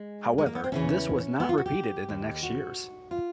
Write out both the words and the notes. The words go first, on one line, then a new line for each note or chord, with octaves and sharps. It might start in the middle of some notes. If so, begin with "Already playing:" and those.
However, this was not repeated in the next years.
Already playing: G#3
G#3
A#3
B3
C4
E2 C#3 E3 C#4
B3
F4
F#4
G4
D#2 D#3
F#4
F4